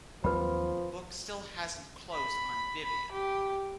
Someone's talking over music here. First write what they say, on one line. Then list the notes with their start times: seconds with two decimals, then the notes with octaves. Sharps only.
The book still hasn't closed on Vivian.
0.24 D#2 F3 F#3 C4 B4 B5
2.14 B5
2.83 B5
3.12 G4